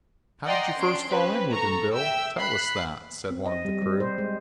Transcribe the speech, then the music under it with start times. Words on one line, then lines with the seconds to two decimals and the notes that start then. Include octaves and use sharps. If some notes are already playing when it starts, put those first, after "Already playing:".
"How did you first fall in with him, Bill?--Tell us that," said one of the crew.
0.44 D5 D#5 F#5 G5 A#5 C6
0.78 C#4 D4 C6 D7
1.09 C4 C#4 G4 B4
1.51 A4 A#5 C#6
1.94 E5 G5 E6
2.38 B5 F#6 C7
3.31 C4
3.46 D#5
3.65 G3
3.82 G3
4.00 C5
4.18 G#3